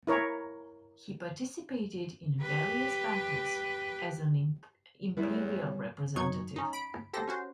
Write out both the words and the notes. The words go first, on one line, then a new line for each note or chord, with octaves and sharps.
He participated in various battles as an imperial representative.
E4 A#4 C#5
G4 B4
E2 G3 C#4 E4 G4 B4 C#5
F#2 F#3 D#4 C#6 G#6
C#4 D#4
B5 D7
G4 A4 C5 A#6
C#4 F#4 C5